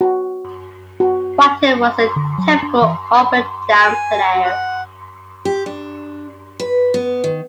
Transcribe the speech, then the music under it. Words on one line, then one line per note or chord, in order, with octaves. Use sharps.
Whiten was a typical up-and-down player.
F#4
F#4
D3
F#3
D4
E3
G#5
F#5
G4
D4
B4
B3
D#3